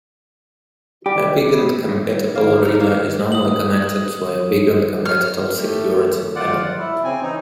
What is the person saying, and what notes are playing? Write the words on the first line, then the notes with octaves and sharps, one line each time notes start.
A Wiegand-compatible reader is normally connected to a Wiegand-compatible security panel.
G3 G4
A#3
A#4
A#3
D#6 F#7
F6
A3 G4
F4 D5 F#5
E4
C#3 C4 G#5
E3 D#4